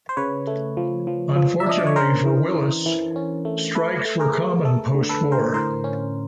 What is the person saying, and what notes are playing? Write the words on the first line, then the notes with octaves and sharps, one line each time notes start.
Unfortunately for Willys, strikes were common postwar.
C5
C#3 B4 C#5
A3
F3
F3
F3
E5
D4 D#5
D5
C#5
C#4 A#4 C5
E3
E3
E3
C#4
A3
A3 A4 B4
A3
G#4 A#4
A3
A3 A4
D3
A4 B4
D3
A#4 C5
A2 A#4 C5
C#4